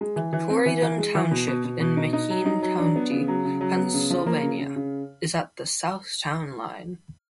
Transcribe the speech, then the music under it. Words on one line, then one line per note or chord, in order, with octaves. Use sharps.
Corydon Township in McKean County, Pennsylvania, is at the south town line.
G#3
E3
E3
C4
E3
E3
G#3
E3
B2
B2
B2
B2
D#4
D#4
F#3
D#4
F#3
D4
B3
C#3
F#3
C#3
F#3
B3
C#3
F3
A#3
C#3
C#3
C#3